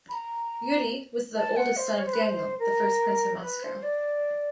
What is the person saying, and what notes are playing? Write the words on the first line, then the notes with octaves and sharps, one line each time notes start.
Yury was the oldest son of Daniel, the first prince of Moscow.
B5
A#5
A5
F#5
C5
C#5
C5
B4
C5
A#4
B4
C5
D5